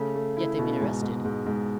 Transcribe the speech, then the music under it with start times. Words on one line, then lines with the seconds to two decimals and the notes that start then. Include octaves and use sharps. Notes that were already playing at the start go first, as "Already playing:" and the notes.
"Yet they've been arrested?"
Already playing: C#3 A3
0.15 A3
0.37 E4
0.59 B2
0.81 G#2
1.02 G#2
1.25 G#2
1.46 G#2